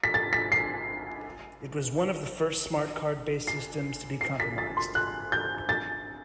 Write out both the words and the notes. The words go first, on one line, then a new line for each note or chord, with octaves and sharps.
It was one of the first smart card based systems to be compromised.
B6
A6
B6
C7
C7
C7
B6
A6
C6
F#6
G6
A6